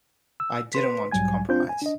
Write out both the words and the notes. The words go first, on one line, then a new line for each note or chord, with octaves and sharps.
I didn't want to compromise.
E6
B4 C6 B6
B1 G#2 F#3 G3 G#5 G#6
C4 D4 F4 C5 G6
G#5
D4 D#5